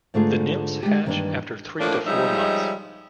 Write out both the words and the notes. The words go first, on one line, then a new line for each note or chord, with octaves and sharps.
The nymphs hatch after three to four months.
G#2 D3 A3 D4 F4 G#4
G#3 G4
G2 D#3 E3 A#3 C#4 D4
A2 F3 A#3 D4
F3 G3 G#3 D#4 C#5 E5